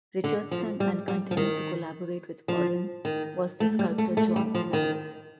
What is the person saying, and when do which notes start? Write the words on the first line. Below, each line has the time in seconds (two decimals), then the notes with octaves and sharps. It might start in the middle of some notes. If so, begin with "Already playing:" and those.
Richardson and continued to collaborate with Warren was the sculptor John Evans.
0.24 D3
0.51 F3
0.80 G3
1.08 G3
1.31 F3
1.37 D#3
2.48 F3
3.05 D#3
3.60 A3
3.79 G3
3.98 A3
4.17 A3
4.36 G3
4.54 F3
4.73 D#3